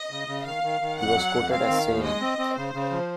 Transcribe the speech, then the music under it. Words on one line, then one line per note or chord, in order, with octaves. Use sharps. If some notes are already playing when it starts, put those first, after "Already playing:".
He was quoted as saying.
Already playing: D#5
C#3
C#3
D#3 F5
D#3
D#3
F2 F#5
F#3
F2
C4 F5
D#3
D#2
G#3 D#5
C4
C4
C#3 C5
C#3
F3